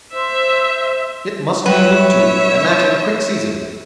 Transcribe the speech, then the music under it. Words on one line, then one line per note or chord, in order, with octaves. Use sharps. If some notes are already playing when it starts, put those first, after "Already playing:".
It must be looked to, and that in quick season.
C5 E5
F#3 G3 B4 C#5 E5